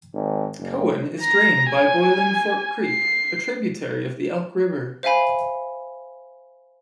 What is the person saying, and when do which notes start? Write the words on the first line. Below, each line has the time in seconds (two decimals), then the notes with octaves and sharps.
Cowan is drained by Boiling Fork Creek, a tributary of the Elk River.
0.13 G#1
0.59 F#1
1.20 A#5
1.69 G#5
2.86 C7
5.03 C5 E5 F5 G#5 B5